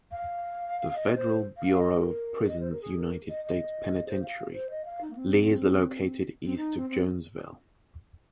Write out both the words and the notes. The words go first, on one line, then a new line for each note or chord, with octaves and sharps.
The Federal Bureau of Prisons United States Penitentiary, Lee is located east of Jonesville.
F5
D#5
C5
F5
D#5
A#4
D#5
C5
A#4
G#4
A#4
D#5
D#5
C5
F5
C5
D#5
F5
D#4
A#3
C4
C4
D#4
C4
C4